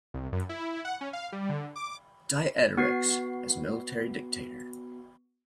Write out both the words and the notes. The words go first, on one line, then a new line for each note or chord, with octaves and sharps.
Dieterichs, as military dictator.
C2
F#2
E4
F#5
C#4
F5
G3
D3
D6
B3 F#4 C7